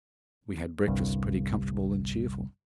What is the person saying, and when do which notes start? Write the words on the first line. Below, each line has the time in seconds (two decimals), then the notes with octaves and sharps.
We had breakfast pretty comfortable and cheerful.
0.87 G1 C2 G2